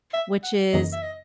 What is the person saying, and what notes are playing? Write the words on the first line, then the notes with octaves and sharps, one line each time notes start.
which is
E5
F#5
F#2 C#3 E3 A#3 D#4 D#5
E5
D#5